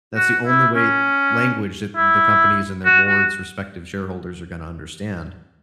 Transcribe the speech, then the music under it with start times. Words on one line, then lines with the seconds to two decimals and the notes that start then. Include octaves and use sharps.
That's the only way language that the companies and their boards' respective shareholders are gonna understand,
0.16 F#4
0.47 E4
0.76 C#4
1.96 E4
2.85 F#4
3.08 F#4